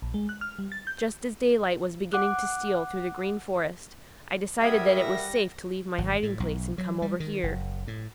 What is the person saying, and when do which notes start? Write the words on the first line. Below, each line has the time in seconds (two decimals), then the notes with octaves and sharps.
Just as daylight was beginning to steal through the Green Forest, I decided that it was safe to leave my hiding place and come over here.
0.02 A#1
0.14 G#3
0.29 F#6
0.41 F6
0.59 G3
0.72 A6
0.87 G6
2.13 F#5 D6 F#6
4.61 D2 G3 A#4 E5 F#5 D#6 G#6
4.99 A#6
5.98 G#1
6.23 A2
6.40 B1
6.78 F#3
7.02 G3
7.20 D#3
7.43 F#1
7.87 A2